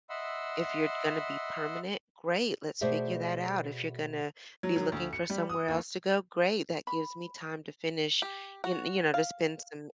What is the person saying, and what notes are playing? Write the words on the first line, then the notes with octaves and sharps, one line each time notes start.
If you're gonna be permanent, great, let's figure that out, if you're gonna be looking for somewhere else to go, great that gives me time to finish, you you know, to spend some
D#5 E5 F#5 B5 C6 E6
B2 A3 G#4 C5 D5 E5
F#3
F#3
D2
C#7
G3
D#6
D#2
B5
G4
F#4
F5